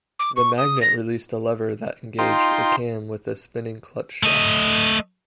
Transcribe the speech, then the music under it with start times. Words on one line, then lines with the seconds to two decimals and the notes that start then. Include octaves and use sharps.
The magnet released a lever that engaged a cam with a spinning clutch shaft.
0.19 D6
0.36 C#6
0.58 D#6
0.81 A#6
2.19 D#4 F4 G5 C6
4.23 A3 D#5